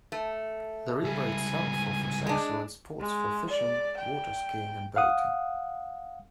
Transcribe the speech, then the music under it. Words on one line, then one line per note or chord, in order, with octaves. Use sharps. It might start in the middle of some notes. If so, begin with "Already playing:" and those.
The river itself offers excellent spots for fishing, waterskiing and boating.
A3
C#2 G3 G#5
G#3 D4
G#3
D5
G5
F5 F#5 D#6